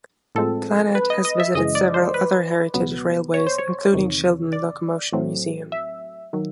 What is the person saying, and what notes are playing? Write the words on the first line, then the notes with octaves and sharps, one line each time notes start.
"Planet" has visited several other Heritage railways including Shildon Locomotion Museum.
A2 F3 G#3 C4 A4
B4
D#5
D#5
E5
F#2 C#3 E3 G#3 D#5
D5
C5
B4
C#2 B2 F#3 B3
C#5
C5
C#5
E2 C3 D#3
D5
A2 F#3 A3 C4
E5
D#3 F#3